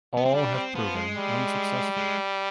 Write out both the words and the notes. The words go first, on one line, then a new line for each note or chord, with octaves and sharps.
All have proven unsuccessful.
B3
C4
G3 D4
C4
F3 B3
G#3
G3
G#3